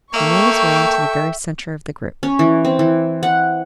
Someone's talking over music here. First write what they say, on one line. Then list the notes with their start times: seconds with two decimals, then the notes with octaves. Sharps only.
He made his way into the very centre of the group.
0.14 A#3 A4 E5 G5 C#6
2.23 C#4
2.39 E3
2.65 C4
2.79 E3
3.23 F#5